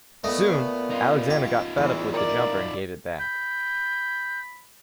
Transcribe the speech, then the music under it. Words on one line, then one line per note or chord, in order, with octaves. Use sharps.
Soon, Alexander got fed up with the jumper and gave it back.
A#2 A3 B3 D#5
D#4 F4
G4
E2 E3
A#4 D5
B5 G6